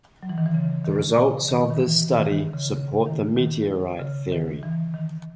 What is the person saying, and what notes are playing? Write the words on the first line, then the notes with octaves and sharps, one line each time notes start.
The results of this study support the meteorite theory.
F#3
E3
D#3
E3
C#3
D#3
C#3
D#3
D#3
E3
D#3
D#3
C#3
C#3
D#3
D#3
C#3
D#3
E3
D#3